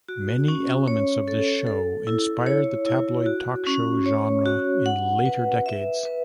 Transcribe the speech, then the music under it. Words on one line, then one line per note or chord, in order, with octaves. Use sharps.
Many elements of this show inspired the tabloid talk show genre in later decades.
F#4
C#4
C#5
A4
A4
E4
C#5
E4
F#4
C#4
C#5
F#4
F#5
B4
E5
B4